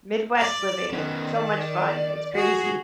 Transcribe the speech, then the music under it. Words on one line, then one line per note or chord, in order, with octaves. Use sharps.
Midwest living, it's so much fun, it's crazy.
D5
D#3 B3 C#4
D5
F#4 G#4